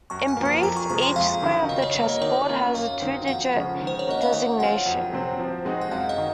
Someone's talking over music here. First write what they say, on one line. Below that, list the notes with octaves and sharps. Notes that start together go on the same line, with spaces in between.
In brief, each square of the chessboard has a two-digit designation.
F#2 C#6
G#5
F3 A#3
G#5
F2 A#5
C#6
C3 F3 G#3 C#6
C6
F2 F5
D#3 F#3 C#4
C#3 D#5
C#5
F#3 C#5
A#3
D#5
D#3 C#5
A#3 C#4 F4
F#2 F5
D#3 F#3 C4
F2 F#5
C#3 F3 G#3 C#4
D#3
C5
C#5
A#3 C#4 F#4 D#5
F5
D#3 F#5
F#3 C4 F4 F#5
F2
C3 F#3 C4
F3
G#3 C4 D#4 F#4
F#5
F#2 F5
D#5
D#3